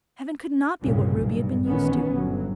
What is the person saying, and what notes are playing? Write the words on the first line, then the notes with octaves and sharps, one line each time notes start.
Heaven could not be what Ruby had been used to.
C2 G2 A#2 C#3
B1 G2
A1 A#2 D#3 B3 C#4
G1 F#3